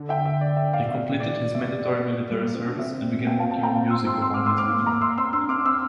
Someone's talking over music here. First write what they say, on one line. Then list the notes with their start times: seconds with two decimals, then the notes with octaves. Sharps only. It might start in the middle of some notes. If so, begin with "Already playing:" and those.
He completed his mandatory military service and began working on music upon his return.
Already playing: D3
0.09 E5 G5
0.26 E5
0.41 D5
0.57 E5
0.73 D5 F5
0.84 A#2
0.89 C3 E5
1.01 C3
1.13 A#2
1.20 D5
1.54 E5
1.60 D5
1.85 D5
2.31 G3
2.44 A#3
2.55 C4
2.68 D4
2.79 C4 E5
3.27 E5 G5
3.39 F5 A5
3.51 F5 A5
3.63 G5 A#5
3.75 F5 A5
3.90 C6 E6
4.07 C6 E6
4.22 C6 E6
4.34 D6 F6
4.46 C6 E6
4.58 D6 F6
4.65 C4
4.70 A#3
4.86 A#5 D6
5.01 C6 E6
5.18 C4 C6 E6
5.33 D4 C6 E6
5.49 C4 D6 F6
5.58 D4
5.65 C4 C6 E6